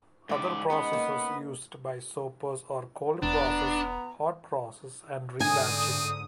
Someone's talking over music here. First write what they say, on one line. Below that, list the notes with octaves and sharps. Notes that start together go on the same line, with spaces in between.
Other processes used by soapers are cold process, hot process and rebatching.
G#2 D5 E5 B5
G#3 B3 C#4 D#4
A#3
E1 B3 D4 A#5
G#2 D3 C4 G#5 D#6